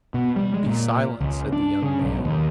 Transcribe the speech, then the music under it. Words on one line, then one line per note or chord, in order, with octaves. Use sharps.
"Be silent," said the young man.
B2
G3
G#3
A#2
C#2
D4
C#3
B1
D#2